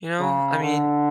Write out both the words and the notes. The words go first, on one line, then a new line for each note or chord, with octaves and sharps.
you know, I mean,
C#3
D3